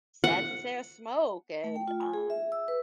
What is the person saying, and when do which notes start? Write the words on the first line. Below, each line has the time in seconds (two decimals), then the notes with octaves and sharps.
sad to say, a smoke," and, um
0.24 F#5
1.64 A3
1.76 G5
1.88 F4
2.01 G#5
2.14 G#4
2.30 E5
2.52 E6
2.68 B4